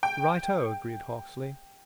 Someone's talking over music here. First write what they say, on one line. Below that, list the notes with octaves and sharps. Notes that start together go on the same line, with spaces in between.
"Right-o!" agreed Hawksley.
G5